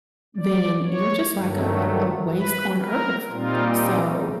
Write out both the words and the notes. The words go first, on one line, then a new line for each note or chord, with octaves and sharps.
then you're just like a a a waste on earth. So
D5
C#5
G2 D#3 F#3 A3
B4
A#4
A#2 G3 C4 D#4 F4